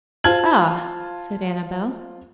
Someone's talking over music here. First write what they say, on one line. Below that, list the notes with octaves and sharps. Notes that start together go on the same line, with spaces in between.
"Ah!..." said Annabel.
F4 C5 A5 F6 G#6 F#7